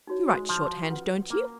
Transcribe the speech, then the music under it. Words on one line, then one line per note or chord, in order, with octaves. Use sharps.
You write shorthand, don't you?'
D#4 F#4 C#5
G#3
F3
C#4 F4 B4 F#5
A#3